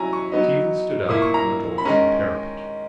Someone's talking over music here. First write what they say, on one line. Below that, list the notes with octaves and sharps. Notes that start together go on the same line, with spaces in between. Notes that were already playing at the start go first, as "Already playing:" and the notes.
Stephen stood up and went over to the parapet.
Already playing: F#3 C#4 E4 G#5 A#5
C#6
F#3 B3 D#4
A#2 A#3 E4 D#6
C#6
A#5
B5
D#3 G#3 C#4 A#5